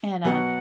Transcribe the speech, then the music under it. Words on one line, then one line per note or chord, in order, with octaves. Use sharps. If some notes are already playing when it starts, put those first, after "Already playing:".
And, uh,
B2 F#3 B3 F#5